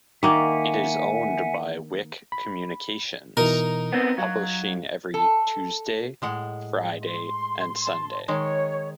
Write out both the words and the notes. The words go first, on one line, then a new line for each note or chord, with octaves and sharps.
It is owned by Wick Communications, publishing every Tuesday, Friday, and Sunday.
D#3 A#3 E5 F#5 G#5
B5
B2 E3 D#4 A#4
B3 C4
F#3 F5
A4
A2 G#3 F#5
C6
A5
D#3 G#3 C#5